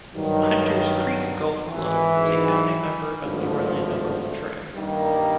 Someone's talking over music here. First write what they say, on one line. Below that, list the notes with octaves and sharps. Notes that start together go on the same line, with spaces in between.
Hunter's Creek Golf Club is a founding member of the Orlando Golf Trail.
G2 D#3 F#3
G#1 G#2 E3
G#1 G2 D3 F3 A3
G2 D#3 G3 A#3